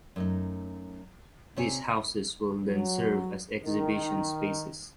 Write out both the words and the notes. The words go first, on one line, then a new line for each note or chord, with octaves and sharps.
These houses will then serve as exhibition spaces.
F#2 A3 D#4
C3 C#5 G#5
F#3
D#3